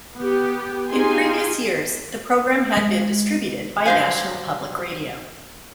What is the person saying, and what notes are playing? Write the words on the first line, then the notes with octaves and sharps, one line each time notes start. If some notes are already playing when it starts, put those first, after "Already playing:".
In previous years, the program had been distributed by National Public Radio.
B3 G4
D#4 F4 G4 G#4 G#5 C6
G#3
G2 F#3 C5 F5 G#5